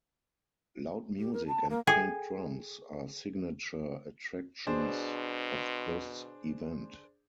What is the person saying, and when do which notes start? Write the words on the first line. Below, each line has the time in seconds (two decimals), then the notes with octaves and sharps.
Loud music and paint drums are signature attractions of this event.
1.19 G4
1.33 A#4
1.47 A5
1.69 A#3
1.87 G#4 A4 G5 G#5
4.67 B2 D4 G#4 C5